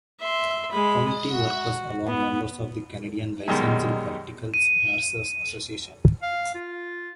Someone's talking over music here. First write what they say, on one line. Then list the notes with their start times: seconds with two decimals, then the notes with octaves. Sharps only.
County workers along members of the Canadian Licensed Practical Nurses Association.
0.20 E5 C6
0.70 G#3 B5
1.31 F#4
2.06 B3
3.48 F#2 B2 D#3 G3 G#3
4.54 D#7
6.23 F5
6.55 F4